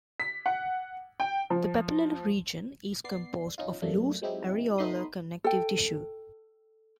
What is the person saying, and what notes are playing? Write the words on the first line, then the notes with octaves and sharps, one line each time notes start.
The papillary region is composed of loose areolar connective tissue.
B6
F#5
G5
F3
B3 D5 C7
C#4 D#4 F4
F#2 C3 A3 A#3 D4
F#3 G#3 C4 D#4 E4 G4
A3 B3 D#4 B5 C6 D#6
A4 G5